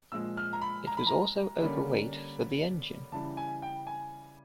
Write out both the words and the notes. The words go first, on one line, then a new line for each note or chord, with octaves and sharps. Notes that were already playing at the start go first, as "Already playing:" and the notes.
It was also overweight for the engine.
A#2 F3 G#3 E6
F6
A#5
B5
A#5
B5
A#5
D3 G3 A#3 C#4
C#3 E3 G3 A5
G#5
G5
G#5